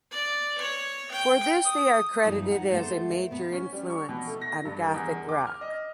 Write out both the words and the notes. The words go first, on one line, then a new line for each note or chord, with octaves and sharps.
For this they are credited as a major influence on gothic rock.
D5
C#5
G5
D#6
E2 G2 E3 F3 G3 D#4
D#4 F#5
A3 B3 G4 C5
A#4
B2 B3
C#4
G3
C#6
B2
A3
A#6
G2
A#4
E2
D6
F6
D#5